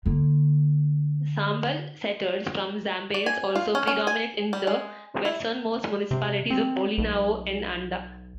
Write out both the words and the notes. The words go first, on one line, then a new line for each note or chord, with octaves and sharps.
Sambal settlers from Zambales also predominate in the westernmost municipalities of Bolinao and Anda.
D3 A#3
D5
G#5
F4
C#4
C#4
G#5
G3
G#3
E4
C3
C4
B1